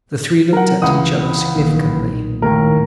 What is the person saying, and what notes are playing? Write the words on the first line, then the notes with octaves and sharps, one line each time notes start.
The three looked at each other significantly.
F#3 A#4 F#5
C#2 E3 F#5 D#6
B1 A#2 D#3
D#2 A2 A#4